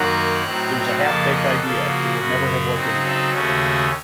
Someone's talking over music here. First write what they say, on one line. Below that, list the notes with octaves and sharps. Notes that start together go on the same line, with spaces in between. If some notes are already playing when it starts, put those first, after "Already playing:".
It was a half-baked idea, it would never have worked anyway.
Already playing: F#2 D#3 F#3 A#3 D#4 F#5 A#5
A2 F#3 C4 D#4
F2 C#3 F3 A#3 F5 A5
D#5 F#5
C#3 F3 A#3 A4
F#4
F#2 C#3 F#3
F#4
C#3 F#3 C4 D#4
A4
D#2 C#3 A3 C#4 F#4